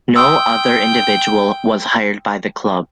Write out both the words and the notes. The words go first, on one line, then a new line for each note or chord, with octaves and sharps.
No other individual was hired by the club.
G5 C6 D#6 E6